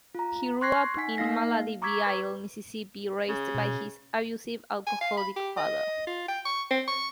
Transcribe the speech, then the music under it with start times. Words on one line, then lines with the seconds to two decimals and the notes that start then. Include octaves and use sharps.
He grew up in Maladyville, Mississippi, raised by his abusive, alcoholic father.
0.15 F4 A#5
0.61 C6 C#6 F#6 G#6 A#6 C7
0.97 D#4 F#5 G#5 B6
1.17 A#3 D#4 F5 A#6 C7
1.82 A#5 C#6 D6 E6 G#6 B6
2.07 B4
3.29 C#3
3.55 B2
4.87 G#5
5.01 F5
5.17 B5
5.37 G4
5.57 D#5
6.07 F4
6.28 G5
6.45 C#6
6.71 C4
6.88 C#6